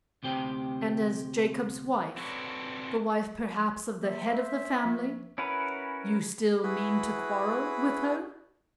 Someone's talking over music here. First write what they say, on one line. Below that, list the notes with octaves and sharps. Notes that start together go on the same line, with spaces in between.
"And as Jacob's wife--the wife perhaps of the head of the family--you still mean to quarrel with her?"
D2 C3 G4 C5 G5
C4 F#4 A4 B4 C#5 D5
A#3 C5 E5
F3 A#3 C#6
C#4 E4 F#4 A#4 B4
E4 F#4 G#4 B4 B5